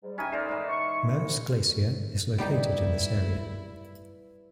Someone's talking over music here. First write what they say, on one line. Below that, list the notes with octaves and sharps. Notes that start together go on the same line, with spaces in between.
Mertz Glacier is located in this area.
G#2 G3
C#4 D#4 E4 G4 G#5
A3 A#4 C5 D5
G#2 E3
C#6
C2 F3
G3 B3 D#4 E4 G4 D5